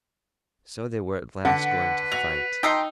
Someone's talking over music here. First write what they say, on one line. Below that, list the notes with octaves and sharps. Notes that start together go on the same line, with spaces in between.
So they were at last going to fight.
D3 B4 F#5
F#4 F7
D#4 G5 A#5 C6 E6